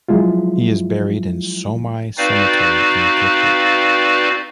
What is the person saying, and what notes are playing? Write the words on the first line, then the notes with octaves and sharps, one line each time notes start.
He is buried in Somei cemetery in Tokyo.
F3 F#3 G#3 E4 F4
C4 D#4 F#4 B4 D5 F5